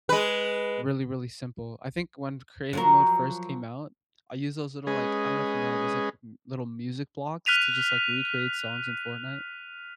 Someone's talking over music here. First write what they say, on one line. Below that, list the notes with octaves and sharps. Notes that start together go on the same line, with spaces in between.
really, really simple. I think when Creative mode first came out, I used those little, like I don't know if you know those, like, little music blocks to just, like, recreate songs in Fortnite.
G#3 B4
F3 F#3 A#4
G#3 C#4 G#4 B4 D#5
F6 F#6 B6 D#7 F7